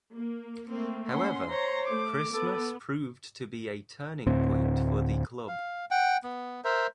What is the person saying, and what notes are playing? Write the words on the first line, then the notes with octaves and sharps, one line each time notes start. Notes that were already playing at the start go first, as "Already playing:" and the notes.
However, Christmas proved to be a turning point for the club.
A#3
A3 A#3 C4
C#4 F#5 C6
C5 C#5 A#5
A3 D6
B3 A4
D2 A2 C4
F5
F#5 G5
B3
A#4 C5 E5